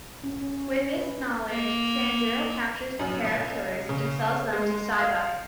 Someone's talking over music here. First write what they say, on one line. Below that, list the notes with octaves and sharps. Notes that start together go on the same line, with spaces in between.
With this knowledge, Sanjuro captures the pair of killers and sells them to Seibei.
C#4
C#4
B4
A#3
F#2
C#2
C#3
G#3
F5